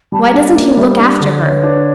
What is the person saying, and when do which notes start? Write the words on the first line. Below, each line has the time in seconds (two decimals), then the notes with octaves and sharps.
Why doesn't he look after her?
0.12 G3 A5 B5
0.24 G#5 A#5
0.34 D4 G5 A5
0.44 D#5 F5
0.55 A#3 D5 E5
0.66 C#5 D#5
0.77 G3 D5 E5
0.87 C5 D5
0.99 D4
1.20 D3
1.41 D3 B4 C#5
1.63 D4